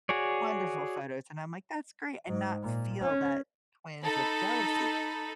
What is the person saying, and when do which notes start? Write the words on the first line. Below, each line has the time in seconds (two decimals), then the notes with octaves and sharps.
wonderful photos, and I'm like, "That's great," and not feel that twinge of jealousy.
0.09 F#4 G#4 C#5 D5
2.27 G#2
2.63 A#2
3.02 C#4
4.05 D#4 A4 B5